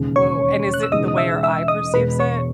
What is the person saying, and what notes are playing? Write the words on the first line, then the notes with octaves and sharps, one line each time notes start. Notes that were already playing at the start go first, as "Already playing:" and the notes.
Woah, and is it the way our eye perceives it?
Already playing: E1 D#2 C#3
C#5 C#6
F#6
E6
E1 E2 C#3 G#3 D#4 D#5 D#6
D#6
E5 E6
E5 E6
D#5 D#6
E1 E2 B2 G#3 B4 B5
C#5 C#6